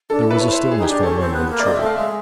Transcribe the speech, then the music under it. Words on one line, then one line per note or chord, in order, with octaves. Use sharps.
There was stillness for a moment in the tree.
D4 A4
E4
B4
C#5
C5
G#4
D#4 G4
D4 G#4
C#4 A4
C4
B3
A#3
D5
C4 D#5
A3 E5
F5
G#3 E5